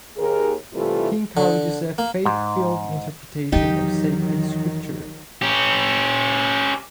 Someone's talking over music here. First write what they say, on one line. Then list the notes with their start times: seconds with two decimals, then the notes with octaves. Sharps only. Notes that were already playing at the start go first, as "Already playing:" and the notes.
He encourages a "faith-filled interpretation of Sacred Scripture".
0.17 D#2 G#4 A#4
0.73 C3 E3 G3 A3 E4 F4
1.37 D3
1.98 A#3
2.25 G#2
3.52 F2 D#3 E3 F#3 D#4 G4
5.42 C#4 G4